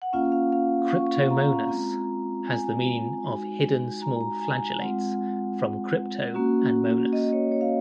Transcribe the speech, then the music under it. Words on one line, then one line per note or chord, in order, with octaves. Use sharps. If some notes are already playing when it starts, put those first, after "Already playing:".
"Cryptomonas" has the meaning of hidden small flagellates from "crypto" and "monas".
F#5
A#3 C#4 F4 F5
F5
F5
C#6
A#5
G#3 C4 F4
G#5
G#3 D#4 F#4
A#5
A#5
G#5
G#3 C4 F4 F#5
A#3 C#4 F#4
D#5
C#5
C#5
F5